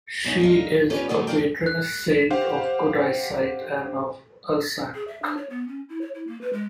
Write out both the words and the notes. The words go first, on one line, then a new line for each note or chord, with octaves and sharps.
She is a patroness saint of good eyesight, and of Alsace.
F#2 C#4 D#4
A#2 D#4 F5
C#4 F4 G4 B4 C#5 D5
A#2 D#3 F#3 G3 A3 A#3
A3 D4 A#4 F5 G5
F#6
G4 C5 F5 F#5
G#4
E5
D4
C#5
B3
C#4
E4
C#5
E4
A#3
B4
G#3